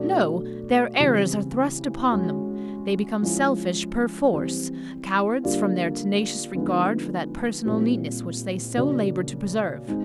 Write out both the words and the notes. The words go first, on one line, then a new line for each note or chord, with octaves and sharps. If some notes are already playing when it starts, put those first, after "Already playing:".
No! their errors are thrust upon them; they become selfish per force, cowards from their tenacious regard for that personal neatness which they so labour to preserve.
Already playing: B2 F#3 A3 D4 F#4
C#3 E3 G3 C4 E4
G#3 C#4 F#4
F3 G#3 C#4 E4
E3 G3 C4
D3 G3 A#3 D4 F4
D3 F3 G#3 B3 D#4
A#2 G3 C4 E4
C#3 F#3 A#3 D4
G#3 C4 D#4